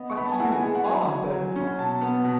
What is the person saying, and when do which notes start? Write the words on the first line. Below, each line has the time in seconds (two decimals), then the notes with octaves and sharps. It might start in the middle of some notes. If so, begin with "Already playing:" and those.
But you are Bonaparte.
Already playing: B3 D#5
0.10 C#6
0.17 B3 B5
0.25 A5
0.32 G#5
0.40 E4 F#5
0.52 G#5
0.62 G#3 G#5
0.75 F#5
0.85 F#3 G#5
1.09 F#3
1.32 F#3
1.56 C#4
1.79 B2 A5
2.01 B3
2.24 B2